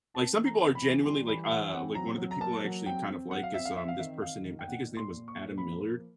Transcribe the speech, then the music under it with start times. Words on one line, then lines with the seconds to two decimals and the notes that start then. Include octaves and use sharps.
like, some people are genuinely like, uh like, one of the people I actually kind of like is, um, this person named I think his name was Adam Millard,
0.14 C4 A5
0.37 E3
0.45 A#5
0.60 C4
0.75 B5
0.82 E3
1.05 G3 C6
1.28 E3 B5
1.50 E3 F#5
1.73 C4 F#5
1.95 F#3 A#5
2.18 F#3
2.31 A#5
2.40 A#3 A5
2.64 F#3
2.86 C4 G5
3.09 C4
3.31 F#3 F#5
3.43 F5
3.54 C4 E5
3.65 F5
3.77 C4 E5
3.88 F5
3.99 D#3 E5
4.22 D#3 F5
4.45 D#3
4.59 G5
4.67 A#2 F#5
4.90 A#2
4.97 C6
5.12 A#2
5.28 C#6
5.35 A#2
5.58 F3 B5
5.81 A#3